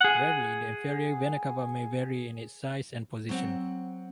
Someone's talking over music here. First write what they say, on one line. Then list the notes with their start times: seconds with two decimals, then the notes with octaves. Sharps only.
Rarely, the inferior vena cava may vary in its size and position.
0.01 G#4 F#5
3.29 F#3 C4 F#5